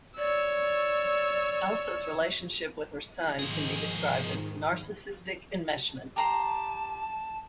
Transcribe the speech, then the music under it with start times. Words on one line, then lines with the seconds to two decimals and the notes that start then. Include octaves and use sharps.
Else's relationship with her son can be described as "narcissistic enmeshment".
0.18 C#5 D5 E6
3.39 G#2 D#3 F3 G#4
6.16 G4 A5 A#5 C6